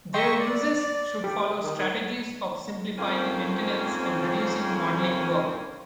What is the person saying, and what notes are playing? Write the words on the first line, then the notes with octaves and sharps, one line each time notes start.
Their usage should follow strategies of simplifying maintenance and reducing modeling work.
D#5 E5 G5 C6 C#6
D5
G4
D#3
F2 G#2 A#3 C4 C#4